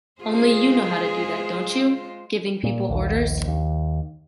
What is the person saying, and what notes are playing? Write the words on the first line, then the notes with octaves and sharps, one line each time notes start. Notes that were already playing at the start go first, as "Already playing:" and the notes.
Only you know how to do that, don’t you? Giving people orders.
G#3 F4 G#4 C5
A#2
A#1 D#2
D#2